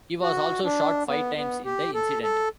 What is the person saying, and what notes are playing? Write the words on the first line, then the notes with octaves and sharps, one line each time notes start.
He was also shot five times in the incident.
F#4
D4
B3
B3
G4
A4
A4